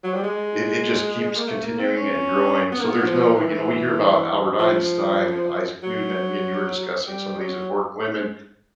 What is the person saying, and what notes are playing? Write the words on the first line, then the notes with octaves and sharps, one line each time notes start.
it it just keeps continuing and growing, so, there's no you know, we hear about Albert Einstein and Isaac Newton, and me and you were discussing some of these important women,
F#3
G3
G#3
A#3
A3
A#3
C4
C#4
B3
A#3
B3
F3
E3
F3
F#3
G3
F#3